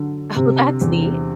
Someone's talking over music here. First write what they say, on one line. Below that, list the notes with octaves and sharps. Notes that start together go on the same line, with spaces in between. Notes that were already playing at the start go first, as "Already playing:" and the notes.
Oh, that's neat.
Already playing: D3 F#3
C3
E2